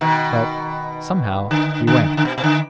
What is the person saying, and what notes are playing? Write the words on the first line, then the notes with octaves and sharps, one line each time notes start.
But, somehow, he went.
B2 D#3
D3
D3
D3
B2
B2
D3